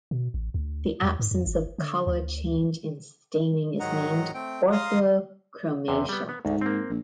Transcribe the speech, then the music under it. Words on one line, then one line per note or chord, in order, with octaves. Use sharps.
The absence of color change in staining is named orthochromasia.
B2
A1
D2
E2
G#2
F2
G#1
D3
D2
G#2 D#3 F#3 D#5 F#5 A#5
A3 C4 G5
F5 A#5 C6 D#6 F6
E2 C3
G3 B3
B3
D2 G#2
A#3 C4
A#1